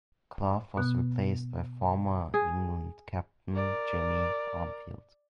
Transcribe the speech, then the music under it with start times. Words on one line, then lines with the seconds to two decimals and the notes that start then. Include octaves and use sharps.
Clough was replaced by former England captain Jimmy Armfield.
0.77 B2 B3 F#6
2.34 G#4
3.53 A#4 D5